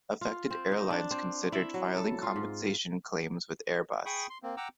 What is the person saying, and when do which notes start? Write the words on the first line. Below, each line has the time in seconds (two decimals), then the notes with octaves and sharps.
Affected airlines considered filing compensation claims with Airbus.
0.21 F4
0.51 C4
0.72 D#4
0.90 D4
1.11 C4
1.52 E4
1.74 F#3
1.97 A4
2.23 F4
2.36 G#2
4.06 G#4 G5 B5 C#6 D#6
4.30 C6
4.43 A#3 C4
4.57 F#5 G5 A#5 D6 E6